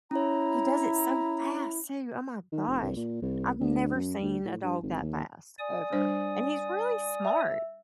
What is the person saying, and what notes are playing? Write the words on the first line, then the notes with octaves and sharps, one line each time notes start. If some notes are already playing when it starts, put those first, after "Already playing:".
He does it so fast too, oh my gosh. I've never seen a dog that fast, ever, and he's really smart.
C#4 E4 C#5 A#5
D#3
F1
C2
A#2
C2
D2
F#2
D2
A2
G2
G#1
D#2
D5 G#5 D#6
G3 D4 C5
E5